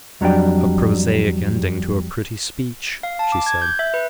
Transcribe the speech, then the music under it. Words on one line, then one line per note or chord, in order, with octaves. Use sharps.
"A prosaic ending to a pretty speech," she said.
F2 F#3 G3 D4 G5
F5
A5
D6
G#6
G6
E5
B4